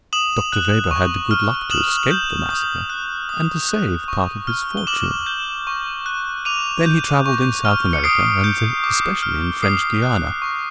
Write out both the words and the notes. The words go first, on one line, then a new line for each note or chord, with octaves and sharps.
Dr. Weber had the good luck to escape the massacre and to save part of his fortune. Then he traveled in South America, and especially in French Guiana.
D#6 E7 F#7
F#6
C#6
F6
D#6 E7 F#7
G6
D#6
F#6
D#6
F#6
C#6
F6
G7
D6 E7 F#7
G6
C#6
F#6
D6 D#7 F7
G6
C#6
F6
C#7
D#6 C7 D7
G6
D6
F6
D#6 C7
F#6
C#6